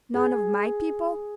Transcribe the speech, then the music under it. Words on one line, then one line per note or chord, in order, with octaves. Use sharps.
'None of my people?
G#4